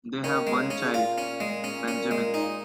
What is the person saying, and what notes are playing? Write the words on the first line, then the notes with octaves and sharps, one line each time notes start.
They have one child, Benjamin.
D#3 C#4
G#3
C#3
C#4
A#2
F4
C#4
G#3
C#4
C#4
G#3
D#4